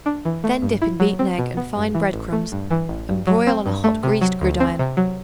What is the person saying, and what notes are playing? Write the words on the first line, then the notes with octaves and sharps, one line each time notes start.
Then dip in beaten egg and fine bread-crumbs and broil on a hot greased gridiron.
D4
E3
A3
G2
E4
F#3
C4
B2
B3
G2
E3
A1
A3
G2
E3
A1
G2
F#3
C4
G2
A3
C3
F#3
D2
C4
C3
F#3